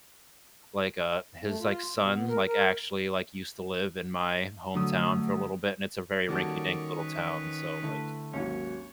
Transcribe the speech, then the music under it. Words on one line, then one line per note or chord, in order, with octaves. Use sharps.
like, uh, his, like, son, like, actually, like, used to live in my hometown for a little bit, and it's a very rinky dink little town, so, like
A3
F4
B2
B3
A#4
A#4
D3 F#3 A3 D#6
D#3 G3 A#3 C#4 F#4 A4 D5
B4
D3 A3 E4
G#1 D#2 F#3 C#4 C#5